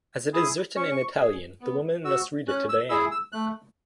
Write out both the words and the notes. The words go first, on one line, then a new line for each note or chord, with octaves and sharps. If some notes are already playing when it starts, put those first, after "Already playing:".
As it is written in Italian the woman must read it to Diane.
E4 G#4 D#6
C#4 C#6
G#4
B3
F#4 E6
C#4 F#6
E6
E4 G#4 E6
E6
A3 F#6